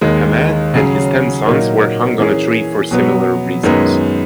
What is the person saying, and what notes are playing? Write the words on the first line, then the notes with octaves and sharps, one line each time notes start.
Haman and his ten sons were hung on a tree for similar reasons.
D#2 D#3 G#3 D#4
C#3 F#3 C#4 G#4
A#2 F#3 A#3 D#4 A#4
E3 A#3 C#4 G#4
B2 F#3 B3
F#2 D#3 G#3 B3